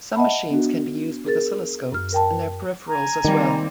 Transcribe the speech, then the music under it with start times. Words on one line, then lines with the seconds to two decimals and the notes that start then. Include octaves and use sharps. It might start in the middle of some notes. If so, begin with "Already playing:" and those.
Some machines can be used with oscilloscopes and their peripherals as well.
0.16 D#5 E5 F#5 A5 B5
0.50 B3 D4 F#4
1.26 G#4 A#4 A6
1.92 F#2 F6
2.12 A#4 G5 A5
2.88 G#5 A#5
3.25 D#3 G3 A#3 C4